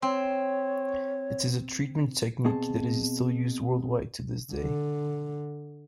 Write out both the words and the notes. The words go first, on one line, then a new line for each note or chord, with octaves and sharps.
It is a treatment technique that is still used worldwide to this day.
C4 C#5
B2 C4 G#4 A5
D3